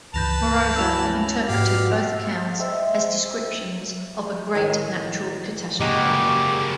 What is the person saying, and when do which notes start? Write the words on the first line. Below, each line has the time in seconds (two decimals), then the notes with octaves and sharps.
Moreover, he interpreted both accounts as descriptions of a great natural catastrophe.
0.14 C#2 G2 E3 B4 A5 G6 A#6 F7
0.76 C#4 E4 E6 F7
1.48 G#2 B2 G3 A#3 C#4 F#4 G4 F5
2.59 C5 D#5 E5 G5
4.54 A2 D#3 G#5
5.80 C#3 G#3 A#3 D#4 F#4 G4